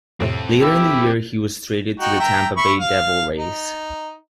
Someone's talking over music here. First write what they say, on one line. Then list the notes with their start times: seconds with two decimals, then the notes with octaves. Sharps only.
Later in the year, he was traded to the Tampa Bay Devil Rays.
0.20 F2 A2 C3 C4 A4
0.62 E4 G4 E5
2.00 D#4 F#4 G5
2.20 E5 G5 A#5
2.57 E5 B5 C#6
2.80 F5
3.38 D#4